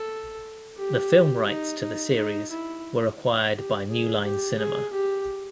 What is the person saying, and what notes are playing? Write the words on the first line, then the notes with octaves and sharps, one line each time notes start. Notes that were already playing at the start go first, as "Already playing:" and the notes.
The film rights to the series were acquired by New Line Cinema.
Already playing: A4
G4
D#4
D#4
D#4
E4
G4
G#4
G4
G#4
G4